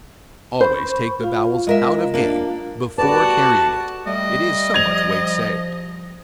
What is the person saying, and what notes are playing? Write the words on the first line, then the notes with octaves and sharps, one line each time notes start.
Always take the bowels out of game, before carrying it; it is so much weight saved.
C5 B5 C#6
F4 F5
G#3 A#4 E5
A#3 D4
F#4 G4 A4 B4 D5 A5
G3 A3 D#5
F3 G#6 F7